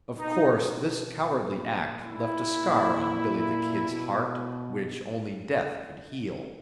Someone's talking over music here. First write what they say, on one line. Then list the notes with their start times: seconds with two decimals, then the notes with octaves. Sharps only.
Of course this cowardly act left a scar on "Billy the Kid's" heart, which only death could heal.
0.19 B2 D#4
1.42 A#2
2.04 E4
2.65 A#2
3.87 B2